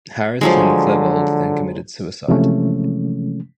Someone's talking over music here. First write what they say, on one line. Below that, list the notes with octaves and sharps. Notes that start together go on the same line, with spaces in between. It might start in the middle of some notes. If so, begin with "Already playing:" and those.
Harris and Klebold then committed suicide.
D3 F3 F#3 G#3
C3 E3 F3 G#3 A3 C#4